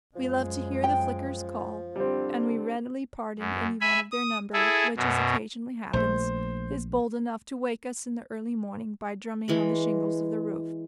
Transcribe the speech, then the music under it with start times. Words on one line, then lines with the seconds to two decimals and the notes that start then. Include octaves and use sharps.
We love to hear the flickers call, and we readily pardon any one of their number which, as occasionally happens, is bold enough to wake us in the early morning by drumming on the shingles of the roof.
0.16 F#2 F3 G#3
0.84 G5
1.96 D3 G3 C4
3.39 F#2
3.81 E5 G#5 B5
4.11 D#6
4.53 E4 G#4 A4
4.96 F#2 B2
5.93 A#1 A3 C5
9.48 E3 G#3 B5